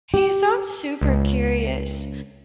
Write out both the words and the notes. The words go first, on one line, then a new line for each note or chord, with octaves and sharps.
Hey, so I'm super curious.
G4
C#2